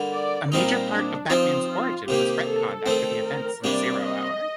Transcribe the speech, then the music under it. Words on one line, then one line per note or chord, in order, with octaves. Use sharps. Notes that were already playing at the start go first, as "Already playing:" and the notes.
A major part of Batman's origin was retconned after the events in "Zero Hour".
Already playing: D3 G3 A#3
D5
A#2 G3 C4 D#4 A#4
D4
F3 C4 D#4 F4
F4
C3 D#3 A#3 G4
A4
D#3 A3 C4
A#4
C3 G3 A#3 D4 D5
D#5